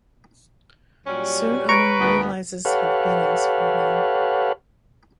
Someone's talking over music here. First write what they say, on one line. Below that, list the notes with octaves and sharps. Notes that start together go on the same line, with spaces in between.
Soon Anu realizes her feelings for him.
A#2 F#3 G3 C#4
B4 A#5 C#6 D7
D2 A#2 B3
G4 A4 B4 C#5 F5 F#5